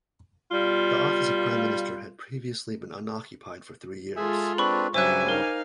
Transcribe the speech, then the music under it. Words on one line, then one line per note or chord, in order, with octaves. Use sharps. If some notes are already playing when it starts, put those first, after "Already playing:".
The office of Prime Minister had previously been unoccupied for three years.
B2 G3 F4
G#3 F4 G#4 A4 E5
C4 D4 B4 B5 C#6
G2 C#3 F#3 C5 E5 G#5 D6 F#6
D#4 A#4 F5